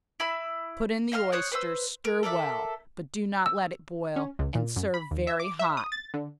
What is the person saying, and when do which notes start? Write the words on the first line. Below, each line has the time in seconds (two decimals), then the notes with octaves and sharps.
Put in the oysters, stir well, but do not let it boil, and serve very hot.
0.20 E4 B5 E6
1.12 D#5 F5 C6 F6
1.32 C5 C#5 D#6 F#6
1.52 B4 C5 E6
2.05 A#4
2.23 A4 A#4 D5 E5
3.46 E6
4.16 C#4
4.39 C#2
4.55 A#2
4.76 F#2
4.94 B5
5.11 D#2
5.27 E5
5.40 D6
5.59 E5
5.77 D#6
5.92 A6
6.14 D3